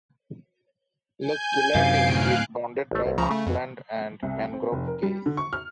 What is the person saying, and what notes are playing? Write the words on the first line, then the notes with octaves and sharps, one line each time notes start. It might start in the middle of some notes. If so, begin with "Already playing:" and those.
Lake Killarney is bounded by marshland and mangrove cays.
G#5 G6
F#2 C3 F5 C7 D7
D2 A2 F5 F#6
A1 A3
C2
C#2 C#3 F3 A#5
A3
F2
C2
C4
F1
A#4
G3
D3
C#6
F6